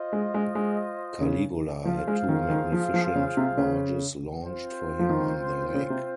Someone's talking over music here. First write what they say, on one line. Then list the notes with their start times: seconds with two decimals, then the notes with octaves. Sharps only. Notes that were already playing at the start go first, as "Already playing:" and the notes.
Caligula had two magnificent barges launched for him on the lake.
Already playing: F4 C5 D#5
0.13 G#3
0.34 G#3
0.55 G#3
1.21 C#3
1.85 F3 F4 G#4 C5 F5
2.07 G#3
2.29 D#3
2.50 D#3
2.72 F3
2.94 F3
3.15 C#3
3.37 C3
3.58 C#3
4.44 C4 F4 C5
4.99 F3
5.09 D#3
5.74 C#3
5.90 C3